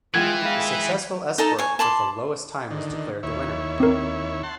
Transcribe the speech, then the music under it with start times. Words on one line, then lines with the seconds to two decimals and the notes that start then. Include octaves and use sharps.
The successful escort with the lowest time was declared the winner.
0.15 E3 G#3 F4 B4 F#5 G5 G#6
0.45 G#3 F5 B5
1.38 D#4 A4 A5 A#5
1.58 C#5 G#5
1.79 A5 B5 C6 D6
2.70 D3 D#3
3.23 D#2 E4 C#5
3.80 C4 A#4
4.43 F#5 A5 C6